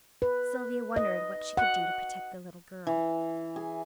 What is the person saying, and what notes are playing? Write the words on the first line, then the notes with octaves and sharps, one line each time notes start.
Sylvia wondered what she could do to protect the little girl.
B4
D#5
F#5
E3
G#4